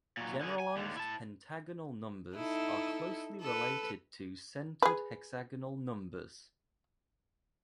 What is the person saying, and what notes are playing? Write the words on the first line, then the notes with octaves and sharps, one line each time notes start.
Generalized pentagonal numbers are closely related to centered hexagonal numbers.
A#2 F#3
D3 G#4
G#5
D#2 D3
E4 A5
D#4 E4 A4
A4 B4
G#4 B4